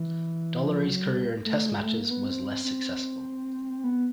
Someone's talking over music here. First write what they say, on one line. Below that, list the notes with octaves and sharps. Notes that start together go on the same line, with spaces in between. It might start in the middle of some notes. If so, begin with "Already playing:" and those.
Dollery's career in Test matches was less successful.
Already playing: E3
F3
F#3
G3
A3
G#3
A3
A#3
B3
C4
C4
B3